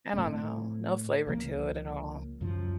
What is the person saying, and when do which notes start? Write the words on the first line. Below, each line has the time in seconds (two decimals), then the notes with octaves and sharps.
I don't know, no flavor to it at all.
0.13 A2 A3 C4
1.27 C#2 C#3 F3 A#3
2.41 F#2 C#3 F3